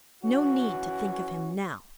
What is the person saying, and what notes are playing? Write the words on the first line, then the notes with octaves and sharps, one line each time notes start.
No need to think of him now.
E3 C#4 F#4